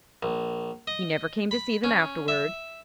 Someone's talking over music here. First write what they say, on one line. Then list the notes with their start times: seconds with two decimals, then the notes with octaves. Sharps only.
He never came to see them afterward.
0.23 A#1
0.87 D#5
1.51 B5
1.84 C#4
2.28 E5